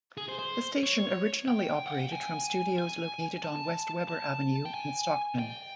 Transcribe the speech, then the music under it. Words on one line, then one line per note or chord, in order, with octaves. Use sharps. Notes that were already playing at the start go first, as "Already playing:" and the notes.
The station originally operated from studios located on West Weber Avenue in Stockton.
G#4
C5
C5
C#5
G5
F#5
G5
G#5
G#5
A5
A5
G5
G#5
G5